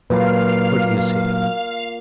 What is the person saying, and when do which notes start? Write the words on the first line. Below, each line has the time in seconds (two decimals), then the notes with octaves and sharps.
What do you say?
0.10 A#2 F#3 A#3 F4 B4 D5 F5